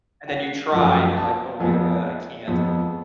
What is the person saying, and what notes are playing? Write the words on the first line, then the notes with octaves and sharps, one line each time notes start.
and then you try, and you're like, "Oh, wait a minute. I can't."
F#5
F#2 F3 A3 F#5
A5
F2 F3 G#3 B3 G#5
F2 F3 G#3 B3